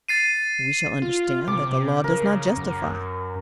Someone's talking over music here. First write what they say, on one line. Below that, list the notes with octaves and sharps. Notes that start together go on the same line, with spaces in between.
We shall understand that the Law does not justify.
A6 C7 D#7
F4
C3 D6
C3
C#3 A#4
F#2